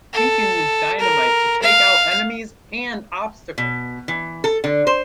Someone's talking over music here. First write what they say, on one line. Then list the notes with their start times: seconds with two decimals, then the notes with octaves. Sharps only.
He can use dynamite to take out enemies and obstacles.
0.13 A4
1.00 A#4
1.62 F5
3.58 B2
4.08 E3
4.44 A4
4.64 D3
4.87 C5